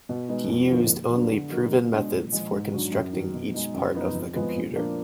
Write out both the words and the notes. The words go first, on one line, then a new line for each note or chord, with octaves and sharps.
He used only proven methods for constructing each part of the computer.
B2
G#3 B3 D#4
F2
D3 F3 A#3 D#4
A#2
F#3 B3 D4
D3
F#3 A#3 D#4
B2
G#3 D4
A#2
F3 G#3
G#2
F#3 D4
F#2
D#3 F#3
B2
G#3 D#4
F#2
F3 B3 D#4
F2
F3 G#3 B3
A#2
F3 A#3 D4